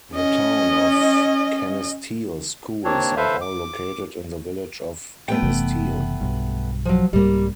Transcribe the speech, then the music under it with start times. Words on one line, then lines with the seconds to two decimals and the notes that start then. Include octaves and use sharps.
The Town of Canisteo's schools are all located in the Village of Canisteo.
0.13 C#4 D#5
2.84 D#2 A#3 C4 D4 C#5
3.17 A4 B4 C5 E5 F5
3.41 D6
5.28 A3 B3 G5
5.42 F#1 C3 E3
6.21 B1 G2
6.85 F3 F#3
7.13 C2 G#2 C3 G3 A#3